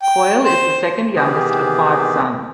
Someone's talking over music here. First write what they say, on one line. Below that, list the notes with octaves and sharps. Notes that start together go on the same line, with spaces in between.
Coyle is the second youngest of five sons.
G5
C5
C3 D#3 E3 B3 G4 G#4